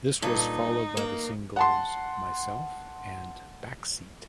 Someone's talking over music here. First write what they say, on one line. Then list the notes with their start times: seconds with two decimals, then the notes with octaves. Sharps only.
This was followed by the singles "Myself" and "Backseat".
0.22 G2 A#2 D#4 A4
0.97 A#3
1.56 F#5 A5 C6